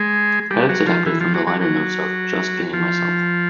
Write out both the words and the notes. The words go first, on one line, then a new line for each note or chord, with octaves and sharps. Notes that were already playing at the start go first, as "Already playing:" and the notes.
Credits adapted from the liner notes of "Just Being Myself".
Already playing: G#3
G3
F#3
F3
E3
F3
F#3
F#3
F#3
F3